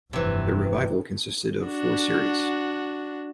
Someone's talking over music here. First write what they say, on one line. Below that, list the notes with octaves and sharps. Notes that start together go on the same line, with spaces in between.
The revival consisted of four series.
F1 G2 C3 E3
D4 F#4